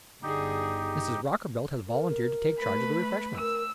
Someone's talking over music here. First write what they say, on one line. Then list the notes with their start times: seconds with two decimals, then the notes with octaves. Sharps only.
Mrs. Rockerbilt has volunteered to take charge of the refreshments.
0.23 G1 D3 D#4 G4 G#4
1.87 A#4
2.58 A3 B4 B5
3.38 A#4 E6